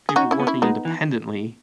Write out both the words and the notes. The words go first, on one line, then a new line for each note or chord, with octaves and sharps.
people working independently,
G#4
C#4 D#4 F#4
C#4 E4
B3
C#4 E4
G#3 B3 D#4
E3